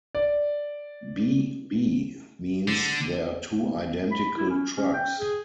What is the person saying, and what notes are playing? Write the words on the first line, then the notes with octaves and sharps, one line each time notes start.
"B-B" means there are two identical trucks.
D5
D3
B5
E4
C#4
C#4
G5
G#4